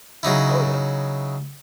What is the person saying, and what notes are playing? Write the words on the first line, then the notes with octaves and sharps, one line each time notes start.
Oh, yeah.
C#3 F#3 D#4 E4